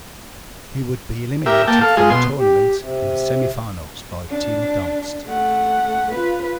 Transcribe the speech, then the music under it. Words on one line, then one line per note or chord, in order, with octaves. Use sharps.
He would be eliminated from the tournament in the semifinals by Tim Donst.
G4 A#4 E5
A#3 G5 A5
A4 F5
G#3 F4 G#4
B2 C6
G4
C3
D4
A3 F#5
F4 B4